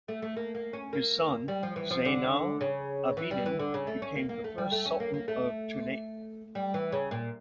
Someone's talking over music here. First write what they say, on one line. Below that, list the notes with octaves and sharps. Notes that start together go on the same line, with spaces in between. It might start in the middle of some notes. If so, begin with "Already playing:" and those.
His son Zainal Abidin became the first Sultan of Ternate.
A3
A3
A#3
A#3
C#4
A#3
G3
F3
E3
F3
D3
C#3
E3
G3
E3
D3
C#3
A3
C#4
A#3
A#3
A3
G3
A3
C#4
A#3
A#3
A3
G3
E3
C#3
A#2